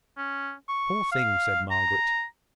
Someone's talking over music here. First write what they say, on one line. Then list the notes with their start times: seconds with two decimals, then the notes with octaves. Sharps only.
"Poor thing!" said Margaret.
0.17 C#4
0.69 C#6
1.12 F5
1.71 A#5